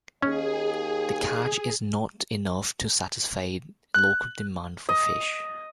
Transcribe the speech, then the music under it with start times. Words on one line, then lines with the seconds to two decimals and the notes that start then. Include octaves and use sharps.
The catch is not enough to satisfy local demand for fish.
0.22 D#2 C#4 G#4 D#5
3.94 F#6
4.89 D#5